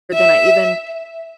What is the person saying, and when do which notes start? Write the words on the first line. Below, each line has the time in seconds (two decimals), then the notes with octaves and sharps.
Then I even
0.14 E5